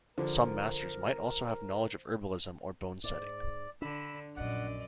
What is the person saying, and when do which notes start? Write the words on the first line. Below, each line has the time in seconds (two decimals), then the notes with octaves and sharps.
Some masters might also have knowledge of herbalism or bone-setting.
0.18 D3 F3 A#4 C5
3.04 G#2 D5
3.82 D3 D4 B5 E6
4.37 A#1 F#2 A#2 D5 D#5 F#5